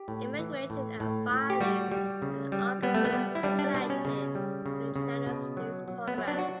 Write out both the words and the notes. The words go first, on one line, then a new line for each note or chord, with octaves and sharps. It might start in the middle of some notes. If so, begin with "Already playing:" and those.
Immigration and violence are arguably conflated in the channel's news programmes.
Already playing: G4
A2
E3
A2
A2
A2
G4
G3 F#4
G3
C#3
G3
G3 B3
A3
B3
G3
E4
G3 D4
D4
B2 D4
C#4
C#3
G3
C#3
C#3
B2
F#3
F#3
B3
F#3
D4
F#4